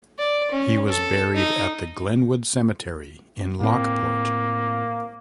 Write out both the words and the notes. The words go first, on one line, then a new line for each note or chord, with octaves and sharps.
He was buried at the Glenwood Cemetery in Lockport.
D5
C#4
A4
D#4
A2 A#3 C4